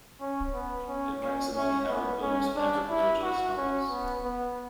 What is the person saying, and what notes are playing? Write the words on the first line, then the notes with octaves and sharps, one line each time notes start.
It ranks among Harold Bloom's favourite Burgess novels.
C#4
B3
C#4
C#4
C#4
B3
C#4
D4
E4
F#4
C#4
B3
B3